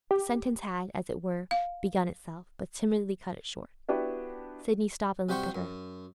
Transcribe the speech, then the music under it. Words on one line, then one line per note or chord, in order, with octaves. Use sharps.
The sentence had, as it were, begun itself, but timidity cut it short. Sidney stopped and looked at her.
G4
F5
B3 D4 E4 F#4 G4 B4
C3 G3 F#4 C5 G5 C#6
F#2